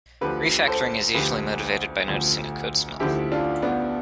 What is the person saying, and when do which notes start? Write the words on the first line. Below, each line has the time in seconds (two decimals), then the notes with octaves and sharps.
Refactoring is usually motivated by noticing a code smell.
0.21 D2 D3 F3 G4 B4
0.67 A4 C5
1.14 D2 D3 F3 G4 B4
2.08 D2 D3 F3
3.00 D2 D3 F3 E4 G4
3.32 D4 F4
3.62 B3 D4